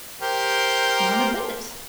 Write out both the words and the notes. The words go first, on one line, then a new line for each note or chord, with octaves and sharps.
'Not a bit.
G4 A#4 C5